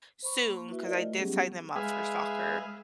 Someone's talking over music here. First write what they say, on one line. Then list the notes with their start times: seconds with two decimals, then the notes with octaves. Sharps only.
soon 'cause I did sign them up for soccer,
0.23 C5 B5 C#6
0.47 A#3
0.68 E4 F#4 B4 E5
0.83 E4 F4 A#4 C5 D5 D#5
0.96 A3
1.18 F#3 G3 B3 C#4 G4 G#4
1.76 G#3 G#4 B4 E5 F5